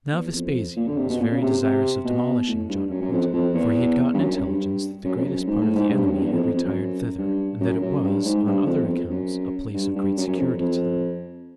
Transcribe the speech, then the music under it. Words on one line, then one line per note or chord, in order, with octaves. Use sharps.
Now Vespasian was very desirous of demolishing Jotapata, for he had gotten intelligence that the greatest part of the enemy had retired thither, and that it was, on other accounts, a place of great security to them.
E2
E2
F2
A#2
D3
C3
B2
A#2
C#3
C3
C3
B2
A2
G2
F#2
F#2
F2
F2
E2
G2
F#2
F#2
G2
F#2
F2
F#2
G#2
A2
G#2
G2
F#2
G2
E2
F2
F2
F2
F#2
G2
F#2
F#2
G2
G#2
G2
F2
E2
F2
F#2
G2
G2
F#2
F#2
F2
F2